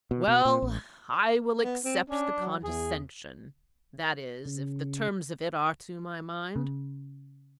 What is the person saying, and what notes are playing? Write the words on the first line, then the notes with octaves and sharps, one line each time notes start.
"Well, I will accept the condescension--that is, if the terms of it are to my mind."
B2
B2
A#2
A1
B3
C4
C#4 D4
F#3
E2 G#4
C#3
C#3